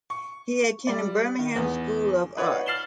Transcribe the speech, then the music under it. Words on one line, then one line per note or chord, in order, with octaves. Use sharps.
He attended Birmingham School of Art.
C#6
G3 D5
D#3
E2 B3
D#4 B4 C#5 D5 F#5
F6 A6 C7 E7 F#7 G7